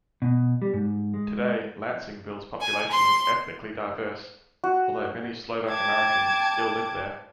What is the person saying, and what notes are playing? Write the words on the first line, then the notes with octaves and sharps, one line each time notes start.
Today, Lansingville's population is ethnically diverse, although many Slovak-Americans still live there.
B2
G3
G#2
G#3
G#5
C6
F#4
G5 A5 D6 G#6